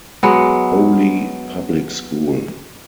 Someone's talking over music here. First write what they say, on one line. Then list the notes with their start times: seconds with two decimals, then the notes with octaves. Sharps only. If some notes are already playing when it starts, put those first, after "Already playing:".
Crowle Public School.
0.23 F#3 G#3 B3